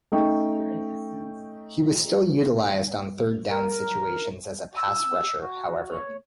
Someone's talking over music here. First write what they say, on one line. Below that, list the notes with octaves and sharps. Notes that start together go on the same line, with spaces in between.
He was still utilized on third-down situations as a pass rusher, however.
A3 C#4 D#4 D#5 G5 C#6
A#4
E6
F#4
C#5